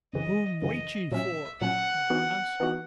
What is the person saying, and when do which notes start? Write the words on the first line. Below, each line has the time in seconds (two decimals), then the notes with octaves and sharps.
'Whom wait ye for?' he asked.
0.13 F#2 C#3 E3 D#5
0.62 F#2 C#3 E3 D#5
1.12 A#2 F#3 C#4 E5
1.61 A#2 F#3 C#4 F#5
2.10 E3 B3 D#4 F#4
2.60 E3 B3 D#4 F#4